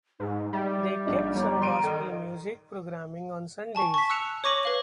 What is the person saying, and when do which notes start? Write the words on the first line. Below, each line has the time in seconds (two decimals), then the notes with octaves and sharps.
They kept some Gospel music programming on Sundays.
0.20 G#2 D#4
0.53 G3 E5
1.06 A#1 D4 D#4 D5
1.35 G1 A#5
1.62 A#5 C6 D7 D#7
1.83 D#3 A4
3.75 G#5 A5 C#6
3.94 C#6 B6
4.10 E6 F#6 C#7 E7 F7
4.44 C#5 C#6 D6 A#6 D#7 F#7
4.63 B4 F5 F#7